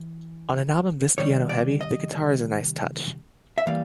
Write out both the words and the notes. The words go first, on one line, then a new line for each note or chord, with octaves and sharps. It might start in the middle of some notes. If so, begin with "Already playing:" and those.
On an album this piano-heavy, the guitar is a nice touch.
Already playing: E3
C3 D#3 G3 C#5
D5
D#5
E5
E3 G3 A#3 F5